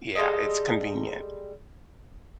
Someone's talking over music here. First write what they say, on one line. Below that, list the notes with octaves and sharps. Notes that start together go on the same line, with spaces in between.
yeah, it's convenient.
G3 G#3 A4 D#5